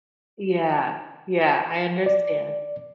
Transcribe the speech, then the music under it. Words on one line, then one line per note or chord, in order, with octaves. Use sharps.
Yeah, yeah, I understand.
D5